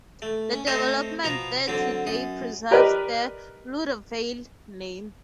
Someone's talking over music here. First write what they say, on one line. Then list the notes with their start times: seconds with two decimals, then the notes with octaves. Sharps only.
The development there today preserves the "Laudervale" name.
0.22 A3
0.52 C#4
0.67 A3 C4 A4 C5 C#5 D#5
1.24 B2 F3 B3 A#5
1.67 D3 F#3 C4 D4
2.07 F#2 D#6
2.71 G4 A#4 B4 D5 D#5